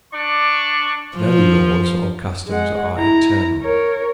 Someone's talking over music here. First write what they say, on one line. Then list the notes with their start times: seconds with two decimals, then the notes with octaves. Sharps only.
No laws or customs are eternal.
0.13 D4 D5 C#6
1.17 F3
2.48 G#3 F#5
2.96 E4 A#5
3.62 A#4 C#5